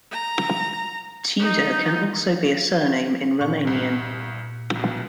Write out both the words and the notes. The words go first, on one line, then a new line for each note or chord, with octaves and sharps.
"Tudor" can also be a surname in Romanian.
A#5
D#4
A#2 C#6
C2 G2
C2 B2